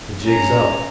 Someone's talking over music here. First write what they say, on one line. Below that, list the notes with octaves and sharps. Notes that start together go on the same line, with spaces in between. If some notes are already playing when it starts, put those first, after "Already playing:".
The jig's up.
C#4 A#5